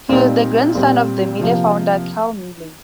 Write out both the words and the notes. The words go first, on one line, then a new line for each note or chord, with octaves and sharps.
He was the grandson of the Miele founder Carl Miele.
A#2 G3 C4 D#4
A#2 G3 C4
C3 F3 A#3